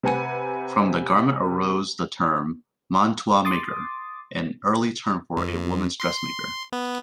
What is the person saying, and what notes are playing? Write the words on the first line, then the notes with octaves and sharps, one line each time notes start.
From this garment arose the term "mantua-maker", an early term for a women's dressmaker.
C3 C4 B4 F#5 G#5 C#7
C6 D6 D#6 A6
F2
C6
B3